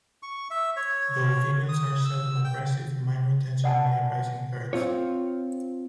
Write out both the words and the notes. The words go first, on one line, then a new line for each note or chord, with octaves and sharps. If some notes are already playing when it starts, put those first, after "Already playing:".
Though females are seldom aggressive, minor tension may arise in herds.
C#6
E5
C#5
D#6
E6
G5
D5 F#5 G#5 A5
C4 F4 C#5